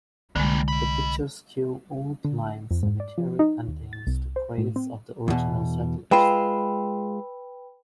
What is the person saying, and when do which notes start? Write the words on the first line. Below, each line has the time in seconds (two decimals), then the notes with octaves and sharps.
The picturesque Old Lyme Cemetery contains the graves of the original settlers.
0.36 C2 D3 G3 G#3 A#3
0.68 D#5 B5
2.25 D3
2.71 F2
2.83 G#2
3.00 D5
3.18 F3
3.39 D#4
3.68 D#2
3.93 A6
4.07 C2
4.36 C5
4.58 A2
4.76 C4
5.28 E2 B2
6.11 G#3 F4 B4 G5 B5